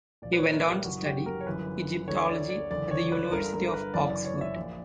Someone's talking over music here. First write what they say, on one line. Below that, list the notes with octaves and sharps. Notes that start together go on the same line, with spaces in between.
He went on to study Egyptology at the University of Oxford.
A#1 A#2 D5
B4
C#5
A#4
G4
F#1 F#2 E3 F#4
G4
A#4
C#5
G1 F#2 E3 B4
D2 D3 C#5
D5
D5
F#1 E2 D3 D5
C#5
B4
G1 G2 D3 A#4
A#4
A#4
B4
F#1 F#2 E3 D5
D5
C#5
E5
A#1 A#2 D5